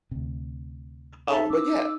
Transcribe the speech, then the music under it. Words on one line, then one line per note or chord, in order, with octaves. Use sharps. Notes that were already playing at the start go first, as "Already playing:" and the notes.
Um, but, yeah,
D2 C3
D#4 A4 E5 A5
C#4 D6 E6